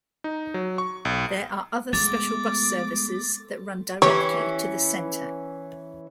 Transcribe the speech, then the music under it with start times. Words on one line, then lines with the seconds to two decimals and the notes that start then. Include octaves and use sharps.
There are other special bus services that run directly to the Centre.
0.24 D#4
0.54 F#3
0.78 C#6
1.05 B1
1.93 G#3 A3 B3 D6 A6
4.02 E3 C#4 G4 C#5